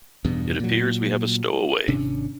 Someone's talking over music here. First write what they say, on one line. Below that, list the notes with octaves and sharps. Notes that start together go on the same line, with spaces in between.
It appears we have a stowaway.
E2 G2 B2
A#2 F#3
G#1 C3 C#4 D4